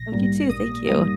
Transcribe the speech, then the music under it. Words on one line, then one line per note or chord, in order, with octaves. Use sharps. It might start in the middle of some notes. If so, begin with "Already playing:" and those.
Oh, you too, thank you.
Already playing: A#1 A#6
G#2 G3 A#3
A#1 D#6
G#2 G3 A#3 D#6